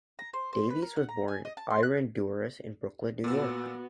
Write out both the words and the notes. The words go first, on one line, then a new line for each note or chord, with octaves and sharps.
Davies was born Irene Douras in Brooklyn, New York.
A#5
C5
C5
B4
A#4
F#5
A#5
G#5
D#5
A5
C6
F#6
A#2 B3 F#4 E6